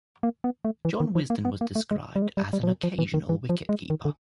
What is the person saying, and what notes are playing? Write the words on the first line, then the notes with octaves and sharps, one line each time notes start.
John Wisden was described as an occasional wicket-keeper.
A#3
B3
A3
E3
D#3
F3
A#3
B3
A#3
A3
G#3
G3
G#3
G3
G3
F3
F#3
F3
E3
D#3
E3
F3
G#3
D#3
D3